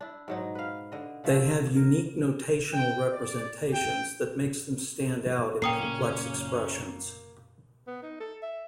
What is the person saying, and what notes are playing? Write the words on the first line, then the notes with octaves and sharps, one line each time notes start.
They have unique notational representations that makes them stand out in complex expressions.
D4 E4
G#2 F#3 D#4
B4 F5
D3 D#5
A#2 F3 A3 E5
A#4
G5
D5
G5
F#1 A#2 A#3 C#4 G5 D#6 C7
B3
D#4
A4
E5